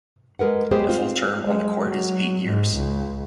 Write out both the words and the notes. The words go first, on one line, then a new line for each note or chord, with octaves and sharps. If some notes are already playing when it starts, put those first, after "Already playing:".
A full term on the court is eight years.
G#3 A#4 B4 F#5
F#3 G#3 B3 G4 G#4 C5
C4 F4 C5
G#3
F#3
G#2
C#2